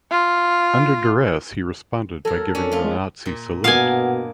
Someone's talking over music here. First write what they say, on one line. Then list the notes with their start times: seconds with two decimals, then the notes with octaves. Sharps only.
Under duress, he responded by giving the Nazi salute.
0.11 F4
2.25 F#3 A4 A#4
2.55 C#4 D4
2.71 A3 F4
2.84 G#3
3.25 A#2
3.64 G2 B2 A#3 D#5 F5 F#5 G#5